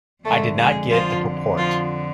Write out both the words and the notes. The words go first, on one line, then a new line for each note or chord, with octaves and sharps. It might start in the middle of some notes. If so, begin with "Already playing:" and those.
I did not get the purport.
F2 D3 G#3 A3 A4
G#3 G#4
F3 F4
F3 F4